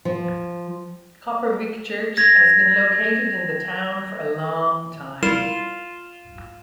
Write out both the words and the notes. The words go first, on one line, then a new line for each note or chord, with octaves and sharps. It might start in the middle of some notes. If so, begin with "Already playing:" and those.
Kopervik Church has been located in the town for a long time.
F3
G#6 A#6
G3 E4 F4 A#4 E7